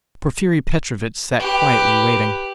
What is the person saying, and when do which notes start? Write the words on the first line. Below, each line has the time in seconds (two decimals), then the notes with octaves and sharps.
Porfiry Petrovitch sat quietly waiting.
1.40 G4 B4